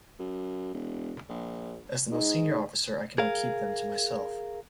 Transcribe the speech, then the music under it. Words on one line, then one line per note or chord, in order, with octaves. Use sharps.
As the most senior officer I cannot keep them to myself.
F#2
E1
A#1
G#2 D#4
G#4 A#4 F5